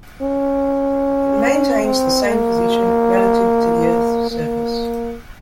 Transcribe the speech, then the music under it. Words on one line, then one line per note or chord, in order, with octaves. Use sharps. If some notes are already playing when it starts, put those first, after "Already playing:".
It maintains the same position relative to the Earth's surface.
C#4
C4
A#3
A#3